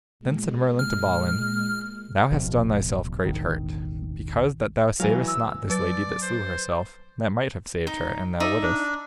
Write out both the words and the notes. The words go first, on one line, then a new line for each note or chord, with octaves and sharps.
Then said Merlin to Balin, Thou hast done thyself great hurt, because that thou savest not this lady that slew herself, that might have saved her an thou wouldest.
A#2 G#3
F6
D1 A1 B2 F3
E1 A1 D#3
E3 F#3 F5
E6
F#3 B4 D5 A6
C5
D#4
D#4 D5 E5
D4